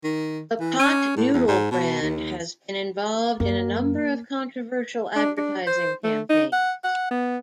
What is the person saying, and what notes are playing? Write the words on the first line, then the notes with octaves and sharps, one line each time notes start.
The Pot Noodle brand has been involved in a number of controversial advertising campaigns.
D#3
E3
C#4
A2
E2
G#2
B2
D#2
F#2 A#3
D4
D4
C5
A3
D#4
F#5
F#5
B3